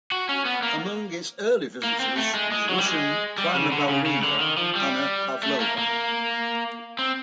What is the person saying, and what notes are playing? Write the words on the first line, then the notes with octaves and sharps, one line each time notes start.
Among its early visitors was Russian prima ballerina Anna Pavlova.
F#4
C#4
B3
A#3
A#3
C4
A3
G#3
G#3
F#3
G3
G#3
G3
C#3
D3
C#3
C#3
D3
D#3
F3
G3
A3
A#3
A#3
C4